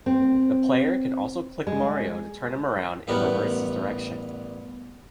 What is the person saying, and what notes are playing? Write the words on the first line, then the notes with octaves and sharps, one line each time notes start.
The player can also click Mario to turn him around and reverse his direction.
C4
G#3
A1 G3 B3 A#4 F#5